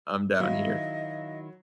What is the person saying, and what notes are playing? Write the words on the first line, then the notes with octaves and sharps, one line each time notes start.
I'm down here.
D#3 F#3 E4 D#5 F5